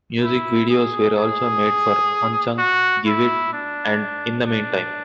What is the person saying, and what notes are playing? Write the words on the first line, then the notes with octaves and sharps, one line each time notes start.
Music videos were also made for "Unsung", "Give It" and "In the Meantime".
E4
G#4
G#4
F#4
E4
D4
D4